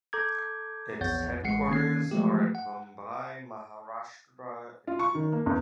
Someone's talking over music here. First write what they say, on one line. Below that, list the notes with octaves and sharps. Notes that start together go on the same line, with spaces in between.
Its headquarters are at Mumbai, Maharashtra, India.
A4 A#5 D6 G6 G#6
A#1 E2 C#5 F#5 G6 A6
A1 E3 G#3 F#5 C7 C#7
D#3 A#3 C#4 G#6 C7
E3 F3 G#3 A3 G4
F#5
F4
C#6
D#3
A#3
E2